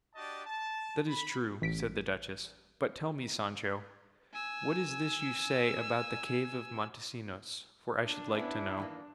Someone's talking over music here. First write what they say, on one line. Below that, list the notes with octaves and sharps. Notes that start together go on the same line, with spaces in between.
"That is true," said the duchess; "but tell me, Sancho, what is this you say about the cave of Montesinos, for I should like to know."
D4 F#4 G4 D5 D#5 A5
A5
B5
A1 B6 D7
G#5 E6
D4
B3 C#4 E4
D#3 E3 A#3